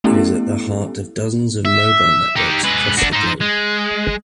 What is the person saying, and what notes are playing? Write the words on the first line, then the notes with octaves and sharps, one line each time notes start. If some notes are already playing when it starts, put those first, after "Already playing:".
It is at the heart of dozens of mobile networks across the globe.
A3 B3 C#4 E4 G4 A4
E5
D#4 G4
G#3 B4
D4 F#4
D#4 C5
G#3